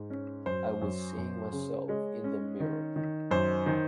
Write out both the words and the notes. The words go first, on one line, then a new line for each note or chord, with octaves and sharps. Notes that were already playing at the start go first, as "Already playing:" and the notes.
I was seeing myself in the mirror.
Already playing: G#2
C#4
F#2 C5
F#2
F#2
C#3
G#3 C#5
C#4
D#3
D#3
F#2 C5
D#3 C5